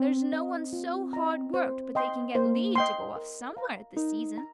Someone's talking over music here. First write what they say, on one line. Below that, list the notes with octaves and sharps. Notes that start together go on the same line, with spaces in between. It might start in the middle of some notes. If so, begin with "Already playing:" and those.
There's no one so hard worked but they can get leave to go off somewhere at this season.
Already playing: C4
D#5 A#5
F4
D#5 A#5
C5
D#5 G5 C6
A#3 C5
D#5 G5 C6
A#4
F5 A#5
D#4 A#4
A#5